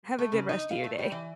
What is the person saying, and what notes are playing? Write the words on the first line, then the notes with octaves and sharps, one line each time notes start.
Have a good rest of your day.
A3
C#3
D#4
F5
A3
G3
E3